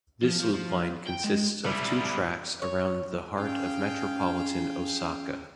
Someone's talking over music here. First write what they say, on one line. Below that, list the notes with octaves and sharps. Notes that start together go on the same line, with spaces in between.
This loop line consists of two tracks around the heart of metropolitan Osaka.
F3
F3
F3
G5
G#3
G3 E4
C#5
C#4 G#4 F5 G5